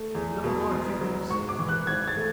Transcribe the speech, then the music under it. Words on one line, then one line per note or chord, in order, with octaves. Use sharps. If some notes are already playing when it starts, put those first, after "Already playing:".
"No hard feelings, Sir Hawerburch."
Already playing: A3
E2
B2
E1
F#3
G#2 C#6
D6
E3
F#6
G#1 G#6
A6
A3